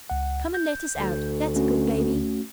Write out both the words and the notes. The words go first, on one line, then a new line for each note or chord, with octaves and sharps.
Come and let us out, that's a good baby.
C#2 F#5
G6
D2
A3 C#4 F#4